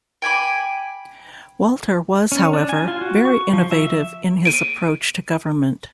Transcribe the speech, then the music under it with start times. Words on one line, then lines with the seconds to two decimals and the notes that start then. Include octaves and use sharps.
Walter was, however, very innovative in his approach to government.
0.22 G5 G#5 B5 D6
2.32 C#4
2.53 D4
2.69 G#5
2.88 F4
3.01 F#4
3.25 C#6
3.53 F3
3.71 E5
4.45 D7 D#7